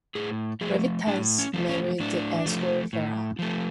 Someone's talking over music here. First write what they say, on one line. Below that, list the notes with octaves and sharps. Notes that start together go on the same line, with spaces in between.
Levitas married Esther Fera.
A2 G#4
F3 A3 G#4
A2 D4
C#4
F3 A3
C#4
A2 D4
F3 A3
A2
F3 A3